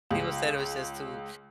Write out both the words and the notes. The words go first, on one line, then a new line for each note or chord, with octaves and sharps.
People said it was just too
C#2